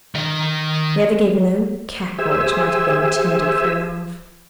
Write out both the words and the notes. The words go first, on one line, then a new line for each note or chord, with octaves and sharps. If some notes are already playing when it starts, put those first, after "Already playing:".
The other gave a low cackle, which might have been intended for a laugh.
D#3 D#5
G4 G#4 C5 E5 G#5 E6